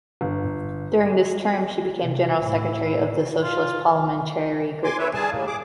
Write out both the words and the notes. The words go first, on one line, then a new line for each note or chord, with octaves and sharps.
During this term she became general secretary of the Socialist parliamentary group.
G1
C3
A2 E4
F4
G#5 C6 D6
B4 C#5 E5
G3 G#4 G#5 A5
D#2 A2 A#3
G#4 D6